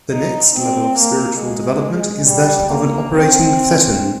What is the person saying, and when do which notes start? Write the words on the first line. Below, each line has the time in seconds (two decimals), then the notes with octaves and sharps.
The next level of spiritual development is that of an Operating Thetan.
0.12 D#4
0.56 C4
0.98 A#3
1.41 G#3
2.27 G3
2.71 A#3
3.13 C4